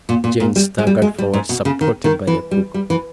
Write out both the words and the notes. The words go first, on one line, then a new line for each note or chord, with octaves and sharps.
Jane staggered forward supported by the cook.
A#2
A#2
A#2
G3
G#3
G3
G#3
G3
G#2
B2
C#3
D#3
D#3
E3
G3
G3
E3